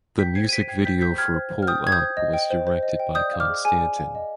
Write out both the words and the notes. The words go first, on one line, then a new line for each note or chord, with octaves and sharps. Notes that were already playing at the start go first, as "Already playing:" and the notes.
The music video for "Pull Up" was directed by Konstantin.
G5 G6 B6
C5 G#6 C7
D#7
C5 B6 D7
G5 G#6 C7
G5 G6 B6
C5 G6 B6
G5 F6 G#6
C5
C5
F6
G5 D#6 G6
G5 G#6
D#6 G6
C5
D#5
G5
C5
C5
D#5
G5
D5 D#6 G6
F5
D6 F6
G#4
G#4 G#5
D5
F5
D#5